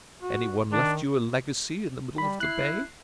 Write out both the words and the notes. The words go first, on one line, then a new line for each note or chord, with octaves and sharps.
"Any one left you a legacy in the middle of the Bay?"
F#4
D#3 D4
G3 B5
E4 F#6 C7